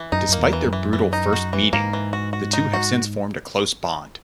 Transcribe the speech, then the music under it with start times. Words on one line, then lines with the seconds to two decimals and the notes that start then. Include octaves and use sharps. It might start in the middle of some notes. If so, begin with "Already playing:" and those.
Despite their brutal first meeting, the two have since formed a close bond.
Already playing: E3
0.12 F#2 D#4
0.29 F#2 A#3
0.39 E2
0.53 E3
0.66 F#2
0.73 E3
0.93 E3
1.13 D#4
1.33 F#4
1.53 E3
1.73 G#2 A#3
1.93 E3
2.13 F#4
2.33 F#4
2.53 D#4
2.73 F#4